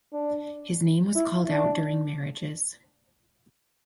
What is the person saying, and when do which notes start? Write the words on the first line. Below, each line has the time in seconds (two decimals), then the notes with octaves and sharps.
His name was called out during marriages.
0.13 D4
1.16 E4
1.49 D4